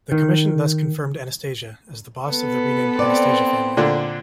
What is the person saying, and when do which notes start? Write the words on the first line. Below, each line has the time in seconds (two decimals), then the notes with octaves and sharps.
The Commission thus confirmed Anastasia as the boss of the renamed Anastasia family.
0.12 D#3
2.29 B3 A4 B4
2.99 C4 D5
3.77 A#2 D3 D4